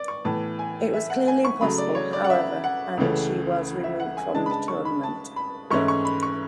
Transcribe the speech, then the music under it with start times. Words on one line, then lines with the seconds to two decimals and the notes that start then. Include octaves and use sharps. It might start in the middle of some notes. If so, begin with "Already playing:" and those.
It was clearly impossible, however, and she was removed from the tournament.
Already playing: D5
0.08 C#6
0.25 A2 E3 B3 A5
0.59 G#5
0.93 E5
1.10 F#5
1.28 G#5
1.45 C#6
1.61 C#3 F#3 A3 B5
1.78 D5
1.95 C#5
2.13 D5
2.24 F#5
2.30 E5
2.64 F#5
2.97 C#2 C#3 E3 A3 C#4
3.84 E5
4.00 F#5
4.17 G#5
4.34 C#3 G#3 D4 A5
4.46 B5
4.51 A5
4.68 C#6
4.85 B5
5.03 A5
5.36 B5
5.71 G#2 E3 A3 C#4 E4 C#6
5.88 C#6
6.05 B5
6.23 C#6